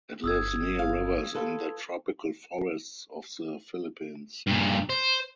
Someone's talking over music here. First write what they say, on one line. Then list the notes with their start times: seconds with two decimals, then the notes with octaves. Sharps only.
It lives near rivers in the tropical forests of the Philippines.
0.24 G1 D#6 E6 G#6
0.79 F5
1.35 F4 A4 B4
4.47 G2 A#2
4.89 C5